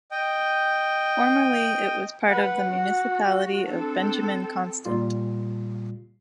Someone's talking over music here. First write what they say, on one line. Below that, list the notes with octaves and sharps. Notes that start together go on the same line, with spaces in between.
Formerly, it was part of the Municipality of Benjamin Constant.
D#5 G5
B4 F#5
F#4
C4 D4 A4
A#2 G3 F4